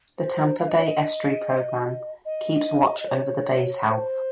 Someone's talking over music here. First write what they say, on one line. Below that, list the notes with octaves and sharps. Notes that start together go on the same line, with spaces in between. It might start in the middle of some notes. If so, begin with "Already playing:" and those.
The Tampa Bay Estuary Program keeps watch over the Bay's health.
C5
F5
D#5
C#5
D#5
D#5
D#5
C#5
C#5
C5